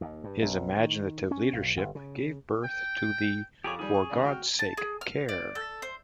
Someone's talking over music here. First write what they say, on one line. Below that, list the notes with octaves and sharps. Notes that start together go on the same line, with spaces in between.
His imaginative leadership gave birth to the 'For God's Sake Care!
D#2
G2
B1
D#3
C#4
B1
G1
C#3
G5
F2 G4 G#4 C#5 D6
D#3 G3 G#4
C#6
D#2 C#3 D5
F#4 G5 F6
A5
G#4
F6
D5
A4
C5